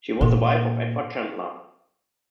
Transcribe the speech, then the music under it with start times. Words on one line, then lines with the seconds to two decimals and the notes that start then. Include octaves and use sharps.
She was the wife of Edward Chandler.
0.21 A#2